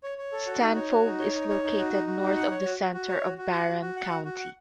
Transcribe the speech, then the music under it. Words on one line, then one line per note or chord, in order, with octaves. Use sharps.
Stanfold is located north of the center of Barron County.
C#5
C#5
A4
F#4
D#4
C#5
F#4
D#4
C#5
D#4
C#5
D#4
F#4
D#4
F#4
D#4
F#5
C#5
F#4
F#4
F#4
C#5
F#4
F#4
F#5
F#4
F#4
F#5
F#4
F#4
F#5